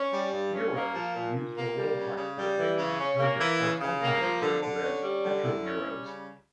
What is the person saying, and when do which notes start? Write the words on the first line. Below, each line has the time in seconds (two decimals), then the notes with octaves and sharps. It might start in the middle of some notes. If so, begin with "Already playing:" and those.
Euros used for oil price quotation and purchase are sometimes referred to as petroeuros.
Already playing: C#4
0.13 G3
0.33 G2
0.54 C#4
0.75 A#3
0.95 F3
1.15 A#2
1.36 A#2
1.57 A#3
1.77 G3
1.97 C#3
2.18 C#3
2.38 G3
2.58 E3
2.79 C#3
2.99 C#4
3.20 A#3
3.40 E3
3.60 C#3
3.81 C#3
4.01 A#3
4.21 F3
4.42 D3
4.63 D3
4.83 C#4
5.03 G3
5.24 D3
5.44 E4
5.64 C#4
5.85 G3
6.05 C#3